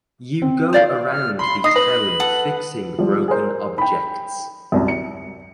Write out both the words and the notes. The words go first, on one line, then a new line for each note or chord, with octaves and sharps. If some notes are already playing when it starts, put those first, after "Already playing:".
You go around the town fixing broken objects.
C4
C5 D5 F5
F6
B5 C6
D#4 D#6 A#6 C7
B4 F#7
A4 F#5
F3 G3
G#4 A#4 C5
G5 B5
C2 F#2
C#7